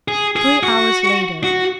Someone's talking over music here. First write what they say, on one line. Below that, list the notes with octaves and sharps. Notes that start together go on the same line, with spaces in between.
Three hours later.
G#4
G#4
F#4
F#4